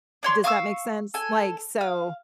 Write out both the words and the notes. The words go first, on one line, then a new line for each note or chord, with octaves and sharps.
Does that make sense? Like, so,
D4 C#5 C6
F5 C#6 D6 E6
A4 G#5
F5